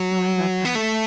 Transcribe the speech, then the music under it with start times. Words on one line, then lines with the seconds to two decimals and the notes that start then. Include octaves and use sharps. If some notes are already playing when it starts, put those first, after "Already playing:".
Oh, I love that.
Already playing: F#3
0.65 B3
0.75 A3